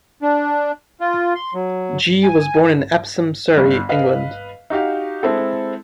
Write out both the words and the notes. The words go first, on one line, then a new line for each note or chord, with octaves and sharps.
G was born in Epsom, Surrey, England.
D4
F4
C6
F#3
G#5
G1
B4 D#5 F5
D#4 F#4 G4 F5
G#3 C4 E4 A4